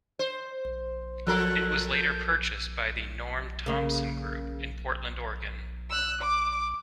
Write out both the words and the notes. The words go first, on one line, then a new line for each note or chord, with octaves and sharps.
It was later purchased by the Norm Thompson group in Portland, Oregon.
C5
F3 A4 A#4 F#6
G6
C#3 A#3
E6 F#6
D6